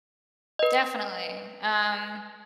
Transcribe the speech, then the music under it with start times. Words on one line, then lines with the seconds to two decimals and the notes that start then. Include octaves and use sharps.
Definitely, um,
0.59 B4 D#5